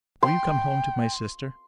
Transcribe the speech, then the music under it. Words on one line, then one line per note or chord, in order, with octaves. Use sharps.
Will you come home to my sister?
G5 C6